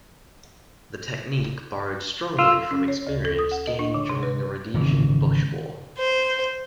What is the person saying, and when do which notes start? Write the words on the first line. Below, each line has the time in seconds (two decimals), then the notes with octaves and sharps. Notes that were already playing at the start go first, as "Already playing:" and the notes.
The technique borrowed strongly from experience gained during the Rhodesian Bush War.
2.39 F4 E6
2.71 C#4
2.88 C#5
3.07 D2
3.25 A4
3.39 D#6
3.52 F#5
3.67 D#5
3.79 D4
3.94 D3
4.09 C3
4.23 B4
4.74 G#1 C#3 E3
5.98 C5